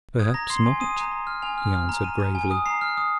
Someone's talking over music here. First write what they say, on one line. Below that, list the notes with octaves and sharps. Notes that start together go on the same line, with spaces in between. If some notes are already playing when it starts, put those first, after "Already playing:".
"Perhaps not," he answered gravely.
D#6 G#6
A#5 A#6
C6 C7
G#5
D#6 D#7
A#5
A#5
F6
G#5 F7
F6
F6
A#5
A#5 D#7
A#5
G#5
D#6
A#5 C7
F6
D#6